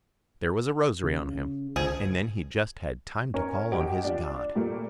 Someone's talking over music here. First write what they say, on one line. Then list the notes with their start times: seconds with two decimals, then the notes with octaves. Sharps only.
"There was a rosary on him; and then he just had time to call on his God."
1.04 C#3
1.76 C#2 D3 F3 G#4
3.34 C#4 A#4
3.72 F#2 G4 D#5 F#5 D7
4.04 D4 F4
4.55 A#2 G3 A3 A#3